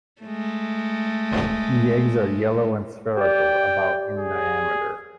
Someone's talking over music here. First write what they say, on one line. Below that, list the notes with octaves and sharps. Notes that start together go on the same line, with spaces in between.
The eggs are yellow and spherical, about in diameter.
G#3 A3
G4 D5 G5
G#4